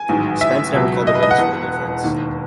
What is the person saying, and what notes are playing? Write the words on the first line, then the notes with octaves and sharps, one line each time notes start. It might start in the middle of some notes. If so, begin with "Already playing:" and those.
Spence never called a witness for the defense.
Already playing: G#5
A1 G#2 D#3 F#3
E5
C#2 B2 F#3
D#5
B4
D#5
F#5
E1 E2 B2
E1 D#2 D#3